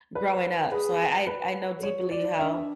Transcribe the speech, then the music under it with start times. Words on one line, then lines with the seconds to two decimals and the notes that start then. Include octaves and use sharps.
growing up. So, I I I know deeply how
0.15 B4
0.71 G#4 B4
1.27 B4
1.79 A4
1.83 G#4 C#5
2.01 F#4
2.11 D5
2.21 E4
2.39 D4 E5